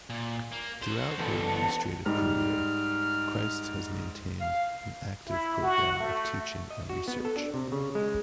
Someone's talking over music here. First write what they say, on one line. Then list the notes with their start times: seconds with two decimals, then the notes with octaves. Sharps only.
Throughout her administrative career, Christ has maintained an active program of teaching and research.
0.10 A#2
0.52 A#3
0.82 F#4 C5
1.19 E2 B2 E3 A4
2.06 G#2 G3 F6
4.41 F5
5.28 E4
5.62 F#4
5.99 A3
6.70 D#5
6.89 F#4
7.08 B3
7.25 A4
7.36 D4
7.54 C3
7.72 C#3
7.95 G#3